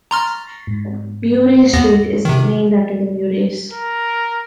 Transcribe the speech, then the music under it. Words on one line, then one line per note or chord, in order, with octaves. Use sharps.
Murray Street is named after the Murrays.
A#5 C6 C#6 F6 A6 A#6
G#2
D#2 B3 A#6
C3 D#3
A#4